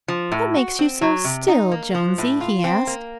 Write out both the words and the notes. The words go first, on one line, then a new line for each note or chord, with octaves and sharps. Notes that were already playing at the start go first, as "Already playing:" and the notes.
"What makes you so still, Jonesy?" he asked.
F3
A2
F#4
C4
F#3
C3
D#4
A#3
F3
A2
F4
C4
A#3